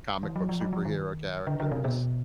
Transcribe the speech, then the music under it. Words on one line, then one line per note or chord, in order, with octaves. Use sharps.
comic book superhero characters.
E3
F#3
F3
F#3
F3
D#3
D3
D3
C3
B2